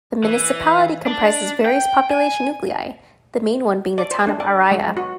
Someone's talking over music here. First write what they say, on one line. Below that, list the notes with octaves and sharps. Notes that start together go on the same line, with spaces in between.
The municipality comprises various population nuclei, the main one being the town of Araia.
E3
D4
G5
G#5
D5
C5
D4
D5
G#3
F#4